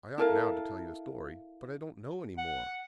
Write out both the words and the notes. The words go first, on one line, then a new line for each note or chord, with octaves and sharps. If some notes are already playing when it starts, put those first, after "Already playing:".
"I ought now to tell you a story; but I don't know any more."
E4 A4 A#4 F5
F#5